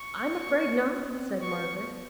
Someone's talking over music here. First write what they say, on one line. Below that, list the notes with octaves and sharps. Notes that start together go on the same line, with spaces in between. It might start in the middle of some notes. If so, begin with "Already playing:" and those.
'I'm afraid not,' said Margaret.
Already playing: C#6
B3
C#4
C4
B3 C#6